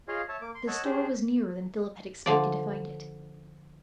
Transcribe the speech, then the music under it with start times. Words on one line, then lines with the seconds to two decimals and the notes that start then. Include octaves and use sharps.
The store was nearer than Philip had expected to find it.
0.08 F4 G#4 C#5 D#5 F5
0.28 C#5 E5 A5
0.41 A#3 D6
0.55 C6
0.68 C#5 D#5 F#5 A5 E6
0.84 D4 G4 G#4 C5
2.26 D3 F3 D5